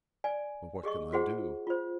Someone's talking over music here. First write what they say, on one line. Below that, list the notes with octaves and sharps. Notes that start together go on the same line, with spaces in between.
But what can I do?
D5 G#5
G4 G#4 D#5 C#6
F4 F#4 G#4 C5 F#5
F4 C5